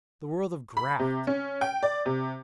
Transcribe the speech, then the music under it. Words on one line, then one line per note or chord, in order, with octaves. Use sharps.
The world of graft!
B5
C3
C#4
G5
D5
C3